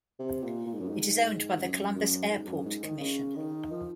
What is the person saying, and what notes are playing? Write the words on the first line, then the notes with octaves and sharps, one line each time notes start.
It is owned by the Columbus Airport Commission.
C3
A#2
A#2
G#2
F#2
G#2
F#2
F#2
G#2
F#2
G#2
D#3
C#3
D#3
F3